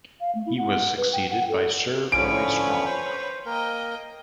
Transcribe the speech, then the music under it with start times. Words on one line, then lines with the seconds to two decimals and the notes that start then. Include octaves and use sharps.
He was succeeded by Sir Roy Strong.
0.21 F5
0.35 A3
0.46 E4
0.58 F#5
0.97 B4
1.13 G5
1.30 F#5
1.49 A4
2.12 D3 F3 C#4 B4 C#5 D7
2.86 C5
3.46 A#3 A#4 D#5 G5